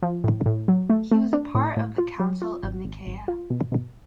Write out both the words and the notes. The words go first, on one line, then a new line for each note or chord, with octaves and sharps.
He was a part of the Council of Nicaea.
F3
A2
A2
F#3
A3
A3
D4
A2
A2
F4
F#3
F4
G#1
G#1
G#1
F4
B2
B2